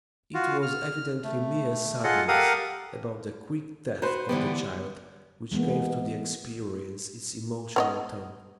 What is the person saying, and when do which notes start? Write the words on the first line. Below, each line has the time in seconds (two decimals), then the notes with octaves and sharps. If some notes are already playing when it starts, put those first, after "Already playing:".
It was evidently mere sadness about the quick death of the child which gave to the experience its emotional tone.
0.34 F4 F#4
0.62 F6
1.24 A3
2.04 F4 G#4 A4 D#5 F#5
2.28 G4 A4 A#4 F5 F#5 D#6
4.02 F#4 B4 C5
4.29 D3 E3 G3 B3
5.52 E3 G#3 A#3 B3
7.76 B3 C#5 D#5